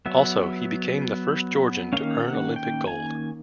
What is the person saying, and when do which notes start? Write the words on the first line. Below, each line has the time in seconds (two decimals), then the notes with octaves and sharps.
Also, he became the first Georgian to earn Olympic Gold.
0.06 F#3 B3 E5
1.93 D#3 G3 A#3 C#4 F5
2.24 F#5
2.56 G5
2.87 G#5